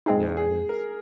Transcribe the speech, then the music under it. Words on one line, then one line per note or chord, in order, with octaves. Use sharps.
Yeah, it is.
A#2 G#3 C4 D#4 G#4
G#4
A#4